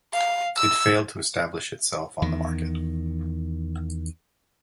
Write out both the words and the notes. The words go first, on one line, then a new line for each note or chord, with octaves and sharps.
It failed to establish itself on the market.
F5
E6
E2 D#3